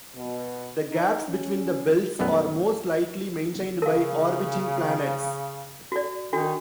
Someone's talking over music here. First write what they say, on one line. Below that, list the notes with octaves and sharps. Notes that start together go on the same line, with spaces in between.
The gaps between the belts are most likely maintained by orbiting planets.
B2
D#4
C#4
B1 F#2 A2 G3 B3
C#3 A#4 F5
F#4 D5
D#3 D4 F#4